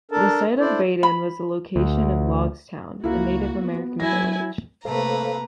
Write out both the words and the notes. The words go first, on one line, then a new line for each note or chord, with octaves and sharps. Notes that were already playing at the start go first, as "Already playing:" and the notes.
The site of Baden was the location of Logstown, a Native American village.
D4 A4 A#4 A5
D4 E4 A4 C5 D5
B5
D2
C#2 A#3 E4 F#4
B3
F#3 E4 G#5 A#6
C3 A3 A#3 A4 B4 C5 F5 A#5